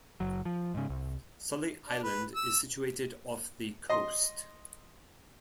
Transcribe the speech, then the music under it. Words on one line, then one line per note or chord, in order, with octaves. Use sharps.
Sully Island is situated off the coast.
F#1 F#3
F3
G#2 C#3
C2
D4
B4
E6
D#5 C6